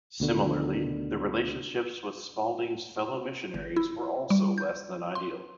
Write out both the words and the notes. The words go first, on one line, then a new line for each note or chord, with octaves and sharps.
Similarly, the relationships with Spalding's fellow missionaries were also less than ideal.
D2 B2 D3 D#3
G1
E4
G3
G6
C6